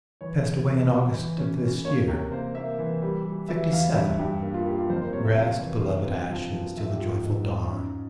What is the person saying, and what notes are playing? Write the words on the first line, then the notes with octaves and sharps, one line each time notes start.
"Passed away in August of this year ... fifty-seven.... Rest, beloved ashes, till the joyful dawn!"
E3 C#5
E2
E3
E3
E3
C#4
C#4
A#3 C#5
C3 A#4
A#3 C5
A#3 E5
E3
G3
G3
E3 E5
E2 F5
G2 E5
G2 G4
A#3 G4
F4
A#3 G4
F4
F2 C5
A#4
C5
C3 C#5
E5
C3 F5
E3
G2
C4
F3
F3
F3 E5
G4
G#2 F4
G#2
G#2
C#4